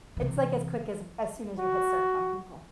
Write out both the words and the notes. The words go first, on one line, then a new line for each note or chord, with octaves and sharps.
It's like as quick as as soon as you hit search on Google.
C3 E3
F#4